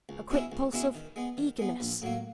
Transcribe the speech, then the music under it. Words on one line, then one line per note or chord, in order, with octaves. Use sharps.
A quick pulse of--eagerness?
C#2
B2 G#3 C#4 E4
C#2
B2 G#3 C#4 E4
D#3
G#3 B3
D#3
G#3 B3
A#1
A2 F#3 A#3